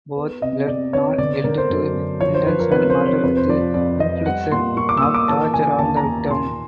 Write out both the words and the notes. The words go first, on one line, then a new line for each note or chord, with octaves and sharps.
Both pled not guilty to intentional murder with infliction of torture on the victim.
B3
C3 D#5
C3 D5
B3 C#5
D3 D5
D3 A#4
C5
F#2
F#2
F3 C#5
C5
F3 B4
A#4
C3 B4
C5
C3
C#5
F2 B4
C5
F3 D5
F2 D5
F2 D#5
G3 F#5
A#2 C6
A#2 C#6
D6
E6
A#3 D#6
D6
E3 A5
C#3 G#5
D#2 A5
A#5
D#2
A#2 C6